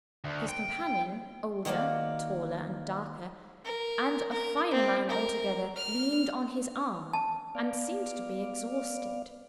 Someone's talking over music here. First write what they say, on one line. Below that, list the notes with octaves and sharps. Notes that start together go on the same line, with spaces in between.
His companion, older, taller, and darker--and a finer man altogether--leaned on his arm and seemed to be exhausted.
D2
G5
D#3 A#3 F#4 D5 F5
A#4
A#4
C4
A#4
F6
A5
B3 D5 F5